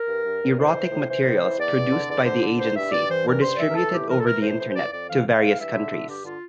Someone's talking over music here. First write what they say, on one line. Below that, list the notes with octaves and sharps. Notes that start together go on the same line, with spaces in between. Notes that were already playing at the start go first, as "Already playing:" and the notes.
Erotic materials produced by the agency were distributed over the Internet to various countries.
Already playing: A#4
G2
G2
G2
A2 C5
E3
A2
E3 C5
A2
E3
E2 D5
E2
D3
E2 D5
D3 C5
D3
G2 C5
G2 E5
G2 D5
E3 C5
G2 A#4
G2 C5
D5
E3 E5
A#4
E3 A4
A2 G4
E3 A#4
A4
E3 A#4
A2 C5
E3 C5
C5
F2 D5
F2 D5
E3 F5
E3
F5
E3
G2 E5
D3
D3
G2 G4
D3 F4